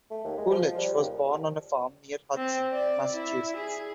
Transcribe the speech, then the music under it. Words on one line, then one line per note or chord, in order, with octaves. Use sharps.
Coolidge was born on a farm near Hudson, Massachusetts.
A3
D#2
G#3
F3
G3
D#2
C4
D5
E4
G#4